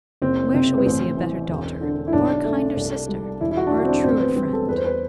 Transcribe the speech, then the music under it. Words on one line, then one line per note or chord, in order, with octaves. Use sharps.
Where shall we see a better daughter, or a kinder sister, or a truer friend?
F#1 C4
C3 C4
B3
A1 C4
E3
E1
D3
E4
B1 D4
A3
C2
G3
E1 E4
E4
F#4
D4
D3 E4
C4
D4
A1 C4
B3
G3 C4
A4
E2 B4
C5
B4